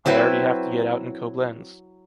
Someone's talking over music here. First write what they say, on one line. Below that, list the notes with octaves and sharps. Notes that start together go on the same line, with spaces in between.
I already have to get out in Koblenz.
F#3 C4 E4 B4